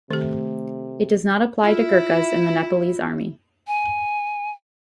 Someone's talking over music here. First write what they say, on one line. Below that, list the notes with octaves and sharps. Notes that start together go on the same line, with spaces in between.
It does not apply to Gurkhas in the Nepalese Army.
C3 D#3 A3 G4
E4 F4
G#5